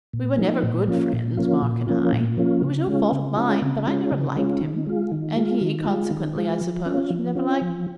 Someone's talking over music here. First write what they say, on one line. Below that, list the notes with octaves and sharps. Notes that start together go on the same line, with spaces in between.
We were never good friends, Mark and I. It was no fault of mine, but I never liked him; and he, consequently, I suppose, never liked me.
A#2
F3 A#3 D#4
A#2
F3 A#3 C#4 F4
A#2
F3 A#3 C#4 F4
A#2
F3 A#3 C#4 F4
A#2
F3 A#3 C#4 F4
C#3
G#3 C#4 F4
C#3
G#3 C#4 F4
C#3
G#3 C#4 F4
C#3
G#3 C#4 F4
D#3
G#3 F4
D#3
G#3 F4
D#3
G#3 F4
D#3
G#3 F4
F3
C#4 F4
F3
C#4 F4
F3